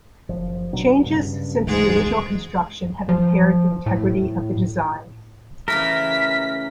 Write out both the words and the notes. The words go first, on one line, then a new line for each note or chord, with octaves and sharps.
Changes since the original construction have impaired the integrity of the design.
F#1 F3
B2 F#3 D4
G2 C#3
G1 D2 G#2 E3 G#3 G#4
F3
A2
C#3 E3 A3 A#4 B6